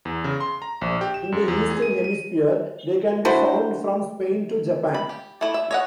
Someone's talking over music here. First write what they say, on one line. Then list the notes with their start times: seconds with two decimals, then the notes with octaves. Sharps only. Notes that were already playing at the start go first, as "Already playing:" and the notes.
In the eastern hemisphere, they can be found from Spain to Japan.
0.05 E2
0.24 C#3
0.40 C6
0.62 A#5
0.81 A#1
1.01 G4
1.14 E7
1.32 F#2
1.48 E2
1.70 G#4
1.82 D#7
2.04 D#7
3.25 D4 E4 F#4 C5
4.94 B5
5.09 G4
5.41 A3 E4
5.54 E5
5.71 C#5 D#5 F#5